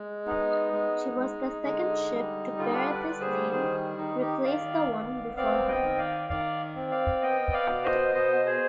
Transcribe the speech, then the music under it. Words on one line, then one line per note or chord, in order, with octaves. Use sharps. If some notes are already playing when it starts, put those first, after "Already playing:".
She was the second ship to bear this name, replace the one before her.
Already playing: G#3
B3 D#4
G#3
G#3
D3
G3
D3 F4
D#4
D4 F4
B4 D5
G3
G#4 C5
D#3 G#4 C5
D#3 D#4
D#4 G4
D#3 D5 F5
B3
C4 D5 F5
D#5 G5
D#3
D5 F5
D#3 D5 F5
C4
D5 F5
B3 D#5 G5
D5 F5
B2
C5 D#5
B2 C5 D#5
G#4 C5